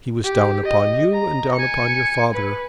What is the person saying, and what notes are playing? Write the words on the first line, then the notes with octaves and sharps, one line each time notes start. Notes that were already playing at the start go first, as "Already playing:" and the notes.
He was down upon you and down upon your father.
G4
D#5
A#5
G#5 C#7
B4